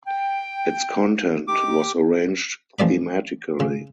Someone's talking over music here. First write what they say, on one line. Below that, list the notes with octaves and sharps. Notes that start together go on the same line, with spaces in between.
Its content was arranged thematically.
G5
D#4 G4 D6
A1 F3 D5 B5
C#3